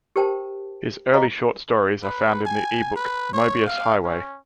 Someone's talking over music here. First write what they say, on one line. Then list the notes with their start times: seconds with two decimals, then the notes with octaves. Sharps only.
His early short stories are found in the ebook "Mobius Highway".
0.16 G4 A#4 C5 G5 A5
1.13 C5 D#5 F5 A#5
2.04 B4
2.45 G#5
2.96 B4
3.33 C#5
3.67 F5
4.04 C#4